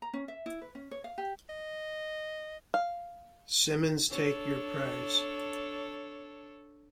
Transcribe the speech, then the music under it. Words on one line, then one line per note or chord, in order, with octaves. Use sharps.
Simmons, take your prize.
A#5
C#4
E5
E4
B4
C#4
C#5
F5
G4
D#5
F5
D4 A4 C#5